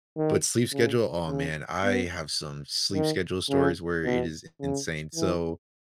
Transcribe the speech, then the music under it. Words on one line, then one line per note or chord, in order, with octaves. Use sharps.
But sleep schedule, oh, man, I have some sleep schedule stories where it is i insane. So,
D#3
C#3
C#3
B3
D#3
C#3
B2
C#3
E3